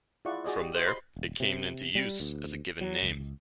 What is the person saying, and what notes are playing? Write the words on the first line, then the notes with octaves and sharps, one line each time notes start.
From there, it came into use as a given name.
E4 F4 G#4 D5 F#5 C#6
F#4 G#4 D5 D#5
G4
C5 D#5
C5 B5 C6
D#1
C3
G3
D2
F#3
C#2